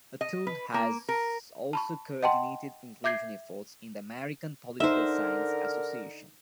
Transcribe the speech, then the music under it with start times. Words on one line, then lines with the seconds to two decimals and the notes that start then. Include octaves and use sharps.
Htun has also coordinated inclusion efforts in the American Political Science Association.
0.21 D#5
0.47 B4
0.74 A#3
1.09 A#4
1.73 A5 B5 C#6
2.23 D#5 F#5 G5 A5 C6
3.04 E5 D6 G6 G#6 C7
4.80 D3 D#4 A#4 C5 E5